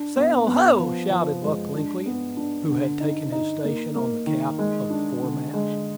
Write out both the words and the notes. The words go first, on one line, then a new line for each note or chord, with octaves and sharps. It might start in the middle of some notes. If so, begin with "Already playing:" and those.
"Sail, ho!" shouted Buck Lingley, who had taken his station on the cap of the foremast.
Already playing: D4
B3
B3
F3
F3
G#3
D4
B3
D4
D3
D#4
D#4
A#3
A#3
D#3
G#3
D4
D3
G#3